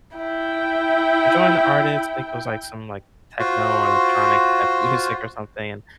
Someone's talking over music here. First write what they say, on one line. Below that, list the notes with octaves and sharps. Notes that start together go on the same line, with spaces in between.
enjoying the artist, I think it was, like, some, like, techno or electronic type of music or something, and
E4 G5
F4 F#4 C5